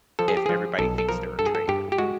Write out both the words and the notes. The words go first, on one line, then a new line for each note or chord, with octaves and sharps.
if everybody thinks they're a traitor.
F3 A4
G#4
G4
F3 G#4
B1 A4
A4
F3 A#4
G2 A4
G#4
A4
G2 G4
G4
G#3 F#4